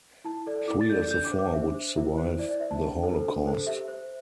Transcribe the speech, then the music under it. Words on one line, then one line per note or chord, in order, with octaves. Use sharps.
Three of the four would survive the Holocaust.
E4 A5
A4 D5
E4 D6
A6
A4 D5 G6
D4 G6
D6
C5
D6
D4 E5
C5
E4 E5
C5
E4 D5
D5
C5 E5
A5
D4
A4 C5
D4
A4 C5
G4 E5
C5